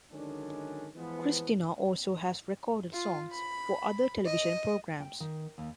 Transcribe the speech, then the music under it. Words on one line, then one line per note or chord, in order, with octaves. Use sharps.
Cristina also has recorded songs for other television programs.
D3 D#3 F#3 G#3 C#4 D4
E3 F3 G#3 B3
F4
B5
D#5
G5
D#3
D#2